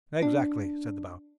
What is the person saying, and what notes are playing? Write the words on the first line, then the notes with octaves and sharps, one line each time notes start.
"Exactly," said the Baron.
D4